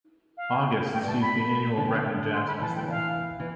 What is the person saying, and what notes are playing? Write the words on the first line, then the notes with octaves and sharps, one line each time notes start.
August sees the annual Brecon Jazz Festival.
F5
A2 G5
G2
A5
A2
B5
D3 A5
E3 G5
D3 F5
G5
A5
C6
B5
E3 A5
G5
F5
E3